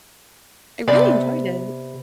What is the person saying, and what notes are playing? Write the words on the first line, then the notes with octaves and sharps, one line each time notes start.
I really enjoyed it.
C3 B3 B4 D5